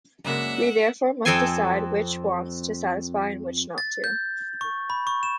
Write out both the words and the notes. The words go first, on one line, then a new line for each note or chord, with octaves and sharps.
We therefore must decide which wants to satisfy and which not to.
F#2 C#3 G#3 A#3 F#4 D5 E5 F#5
F2 C4 A4 G5 G#5 C6
A6
G6
C#6
B5
C#6
E7